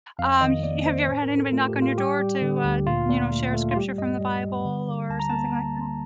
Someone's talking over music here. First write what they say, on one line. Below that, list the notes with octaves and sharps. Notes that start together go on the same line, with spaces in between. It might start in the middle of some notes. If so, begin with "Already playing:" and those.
Um, y y have you ever had anybody knock on your door to, uh, you know, share a scripture from the Bible or something like that?
F2 F5
D#3 D#5
A#3 D5
F2 C5
A2 C5
A#4
A2
A4
A3 F4
G4
A2
F4
G3 G4
G3
D3
D2
A#2 F4
A#2
A3
A3
F4
G3 G4
G2 D#5
G3
G3
D3
D3
D2 A5
A#5
A#3 A5